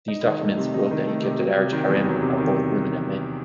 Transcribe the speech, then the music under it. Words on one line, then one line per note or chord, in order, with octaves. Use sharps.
These documenters wrote that he kept a large harem of both women and men.
D#4
D#3
A3
C3
D#4
D#3
A3
C3
F#3
C3
D#3
E2
F#3
C3
D#3